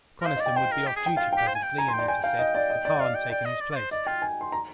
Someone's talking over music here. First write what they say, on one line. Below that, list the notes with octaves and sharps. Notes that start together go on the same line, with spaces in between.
Coniston would be off duty presently, Anita said, with Hahn taking his place.
A#4
C5 F5
D#5
D5
G5
C5 G5
A#4
G4
G#4
G5
F4 F5
G4 G5
C5
G#5
G5
G#5 A#5
C6
G5
D5
G5 G#5
F5 G5
D#5
D5
D#5
D5
D5
D#5 F5
G5
D5 G5
D#5
D5
D5
C5
D5 D#5
F4 G5
G#5
C6
A#5